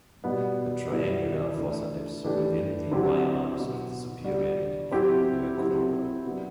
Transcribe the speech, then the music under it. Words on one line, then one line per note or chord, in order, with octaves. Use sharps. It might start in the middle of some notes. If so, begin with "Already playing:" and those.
The triangular fossa dips within the Y-arms of the superior and inferior crura.
B2 G3 B3
B2 G3 B3 E4
E3 A3 D4
E3 A3 D4 G4
D3 F#3 C4 E4 G4
B2 F#3 B3 F#4
G3 D4 F#4
F#3 C4 E4 G4
F#3 C4 E4 G4
F#3 B3 D4